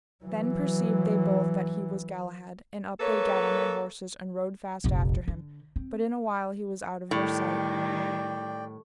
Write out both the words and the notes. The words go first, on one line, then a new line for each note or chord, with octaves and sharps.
Then perceived they both that he was Galahad; and up they gat on their horses, and rode fast after him, but in a while he was out of their sight.
E3 F#3
A#3 A4 B4 C#5
F1 A#1
D3
C4
A2 D#3 G3 D5 G5